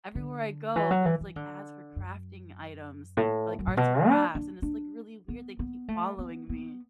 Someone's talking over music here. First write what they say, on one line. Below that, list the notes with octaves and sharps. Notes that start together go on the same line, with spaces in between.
everywhere I go, there's, like, ads for crafting items, like arts and crafts, and it's, like, really weird. They keep following me.
D3
E3
F#3
E3
E3
D3
F#2
A2
F#2
A2
B2
D4
D4
D4
B3
B3
A3
B3
B3